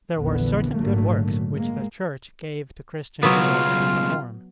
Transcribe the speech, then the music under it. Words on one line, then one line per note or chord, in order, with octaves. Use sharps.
There were certain good works which the Church gave to Christian widows to perform.
A#1 E2 D3 E3 B3
G#1 A#2 D3 F#3 A3 A#3
G#3 A#3
B1 C#3 F#3 B3 F4